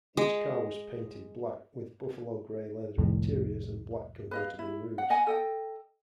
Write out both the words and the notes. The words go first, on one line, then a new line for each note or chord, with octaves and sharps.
Each car was painted black, with buffalo grey leather interiors and black convertible roofs.
G#3
C2 F2 A2
B4 D#5 F5
E4
F#5
D#5 F#5 G#5
A4 D#5 G5